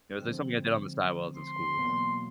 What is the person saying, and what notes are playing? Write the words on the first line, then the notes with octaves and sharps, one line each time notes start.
It was just something I did on the sidewalls of school.
D3 F3 G#3 C4
C6
E2 B2 F#3 A#3